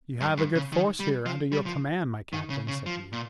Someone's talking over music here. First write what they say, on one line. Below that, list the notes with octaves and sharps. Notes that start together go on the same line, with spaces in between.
"You have a good force here under your command, my Captain," said he.
G2
G2
C#3
D#3
G3
F3
G3
F3
D#3
C#3
C#3
F3
A#2